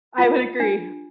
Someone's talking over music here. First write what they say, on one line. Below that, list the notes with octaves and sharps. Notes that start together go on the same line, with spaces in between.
I would agree.
F4
D4